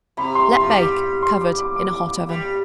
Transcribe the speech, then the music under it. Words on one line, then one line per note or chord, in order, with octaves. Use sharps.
Let bake, covered, in a hot oven.
C3 B5
C6
C6
F3
G3 D6
C6
D6
D6
D6
D6
D6
G3